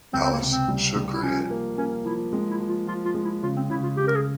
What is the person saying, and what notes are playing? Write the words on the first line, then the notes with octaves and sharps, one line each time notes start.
Alice shook her head.
C#2 C4
C4
A#3
C3
C4
G3
G3
E4
F3 C#4
A#3
A#3 C#4
F3 E4
G#3 C4
E4
F3
F4
F3 F4
F4
G#3
E4
C#3 F4
C4
C#3 E4
F4
C#3 G4
A#4
G#4